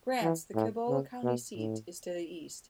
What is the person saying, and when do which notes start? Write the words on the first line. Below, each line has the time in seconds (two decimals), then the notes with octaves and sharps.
Grants, the Cibola County seat, is to the east.
0.22 E3
0.55 A2
0.89 C#3
1.23 B2
1.56 A2